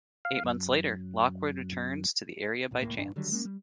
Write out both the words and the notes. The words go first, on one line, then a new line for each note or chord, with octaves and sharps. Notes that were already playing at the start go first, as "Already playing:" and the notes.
Eight months later, Lockwood returns to the area by chance.
F5
F#2
C2 A#2
E1 C#2 A2 A#3
A1 G2 D4
D3 D#3 F#3 G3
G#3 A#3 C#4
G3